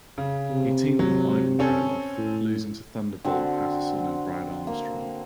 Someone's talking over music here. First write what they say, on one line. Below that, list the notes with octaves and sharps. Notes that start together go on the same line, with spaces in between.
He teamed with Ivan Koloff, losing to Thunderbolt Patterson and Brad Armstrong.
C#3
C3
F#3
C4 C#4 A4
A2
D3 C4 F#4
A#3